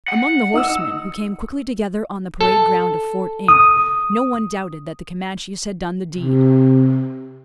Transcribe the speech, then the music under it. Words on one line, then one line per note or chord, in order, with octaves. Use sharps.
Among the horsemen, who came quickly together on the parade ground of Port Inge, no one doubted that the Comanches had done the deed.
F#5
D#4 D#6 E6
A4
D#6
C3